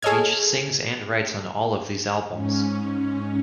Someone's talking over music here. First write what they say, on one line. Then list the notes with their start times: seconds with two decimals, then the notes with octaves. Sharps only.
Veitch sings and writes on all of these albums.
0.02 G#4 A4 C#5 D#5 F6 G#6
2.30 G#2 C#4